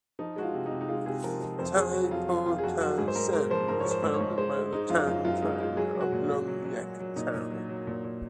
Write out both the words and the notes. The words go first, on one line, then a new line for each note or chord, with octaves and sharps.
Tai Po Tau Tsuen was founded by the Tang clan of Lung Yeuk Tau.
F3 D#4
G#3 F#4
F4
C3
D#4
C3
D#4
G#3 F4
C3 G#4
F3 A#4
F3
F2 C5
F2 G#4
F#3 F#4
F2 F4
F#3 F4
F2 F4
G#4
F2 F#4
F#3 F#4
G#2 G#4
C5
G#2 A#4
G#3 A#4
F3 C5
G#2 A#4
F3 C#5
C5
G#2
C#5
G#2
G#3 C5
G#3
G#3 D#4
F#2 F4
F#2 F4
F#2 F4
G#3 D#4
G#3 F4
F#3 G#4
F#3
F#4
A#2
A#2
F#3
F#3
F#3
F#3
A#2 D#4
A#2
F#3
F#3
A#2
A#2